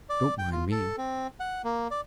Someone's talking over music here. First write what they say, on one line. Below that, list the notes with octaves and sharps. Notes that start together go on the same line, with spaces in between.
"Don't mind me."
D5
G5
F4
A4
C4
F#5
A#3
D5